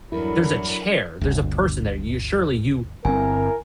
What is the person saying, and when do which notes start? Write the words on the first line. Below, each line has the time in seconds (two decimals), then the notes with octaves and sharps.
there's a chair, there's a person there, you surely you
0.12 E2 G2 F#3 D4 E4 A4 A#4 B5
1.21 G1 D2
3.05 G1 G2 C4 E4 A#4 G#5